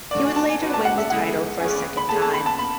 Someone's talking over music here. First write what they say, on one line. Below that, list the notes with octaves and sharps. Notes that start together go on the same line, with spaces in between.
He would later win the title for a second time.
A3 D4 F#4 D5
G#5
A5
G#5
C#4 F#4 B4 D5
A5
F#5
E5
D3 G#3 B3 E4 G#4 F#5
C#4 G#4 B4 D5 G#5
B5
A3 C#4 G#4 C#5 A5
A5
B5
A5
B5